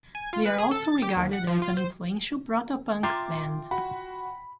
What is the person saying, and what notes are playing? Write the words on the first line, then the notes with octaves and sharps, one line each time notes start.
They are also regarded as an influential proto-punk band.
G#5
F4
B4
G#4
A4
A6
G4
D#2
F#5
F3
F4
C5
F4 E5 G5 A#5 C6 D6
F#4 B5